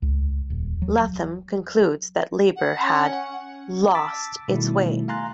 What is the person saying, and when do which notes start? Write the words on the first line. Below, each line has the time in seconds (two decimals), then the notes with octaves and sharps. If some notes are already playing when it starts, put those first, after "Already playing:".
Latham concludes that Labor had "lost its way".
0.02 C#2
0.50 D#1
0.82 F#3
2.56 F#5
2.79 C#4
3.95 A5 D6 E6 A6 B6
4.48 B2 D#3 G3 A3 E4
5.08 F5 G#5 A#5 C6 F#6 A6